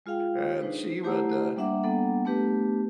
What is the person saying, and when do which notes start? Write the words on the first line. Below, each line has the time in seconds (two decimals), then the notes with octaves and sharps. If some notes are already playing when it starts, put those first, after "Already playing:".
And she would, uh
0.06 G#3 F4 G#4 F5 G5
0.60 D4 D#4 G#4 B4 C5
1.03 A3 E4 G4 C5 F#5 A#5
1.56 G3 A#3 D4 E5 F#5 D6
1.83 G3 A#3 B3 D4 A4 F#5
2.25 A3 B3 D4 G4 B4